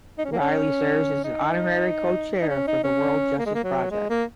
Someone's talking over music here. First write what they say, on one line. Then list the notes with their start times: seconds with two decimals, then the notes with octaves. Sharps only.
Riley serves as an Honorary Co-Chair for the World Justice Project.
0.18 D#4
0.25 C#4
0.32 A#3
0.39 C#4
1.24 D#4
2.42 D#4
2.49 C#4
2.68 D#4
2.84 C#4
3.39 A#3
3.46 G#3
3.55 A#3
3.64 F#3
3.91 G#3
4.10 A#3